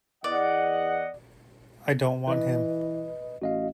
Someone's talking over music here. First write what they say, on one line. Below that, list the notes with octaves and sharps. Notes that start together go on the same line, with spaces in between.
I don't want him.
E2 D5 D#5 F#5
E3 B4 D#5
A1 F#4 D#5 F5